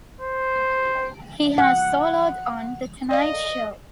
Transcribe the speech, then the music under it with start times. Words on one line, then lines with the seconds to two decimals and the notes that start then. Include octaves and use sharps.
He has soloed on "The Tonight Show".
0.21 C5
1.58 F#5
3.11 D5 D#5 F5